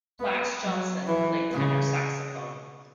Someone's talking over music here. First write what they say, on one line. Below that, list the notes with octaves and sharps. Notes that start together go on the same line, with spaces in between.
Plas Johnson played tenor saxophone.
B3
F#3
E3
C#3